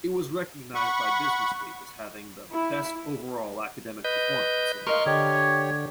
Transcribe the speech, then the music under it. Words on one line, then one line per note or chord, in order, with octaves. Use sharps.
It was recognized by BusinessWeek as having the "Best Overall Academic Performance" in Maryland.
F#5 B5 C#6
E4
B4 D#5 G6
A#4 D#5 F5 C6 C#6
D3 G4 C#5